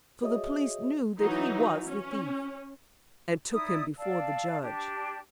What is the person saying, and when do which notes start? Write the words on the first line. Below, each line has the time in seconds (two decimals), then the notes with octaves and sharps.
So the police knew that he was the thief, and took him before the judge.
0.22 F#4 G#4 C#5 D#5 E5 D#6
1.21 E3 F#3 D#4
1.88 C#4
3.51 D#4 E4 D5 D#6
3.97 D5 F5 A5 E6
4.61 D4 G4